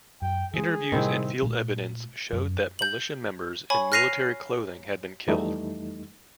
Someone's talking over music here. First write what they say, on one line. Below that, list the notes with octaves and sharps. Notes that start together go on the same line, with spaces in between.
Interviews and field evidence showed that militia members in military clothing had been killed.
F#2 G5
E3 G#3 G#4
A2 C3 D#3 G3 C4 E4
A#2 A3
F#2
G6 F#7
C#5 G#5 B5 C#6
F6 F#6 A#6 C7 D#7 F7
F2 E3 G3 A3 D#4